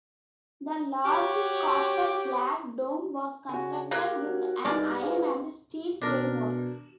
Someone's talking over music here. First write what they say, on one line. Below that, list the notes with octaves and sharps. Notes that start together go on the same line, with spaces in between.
The large copper-clad dome was constructed with an iron and steel framework.
F#4 G4 C#5
C#3 F#4 G#5
A#3 G4 A#4 F#6 G#6
D#2 F#4
C2 G2 G3 G#3 D#4 D5 F6
G#2 F#4 G#4 B4 F5
B2 D4 A#4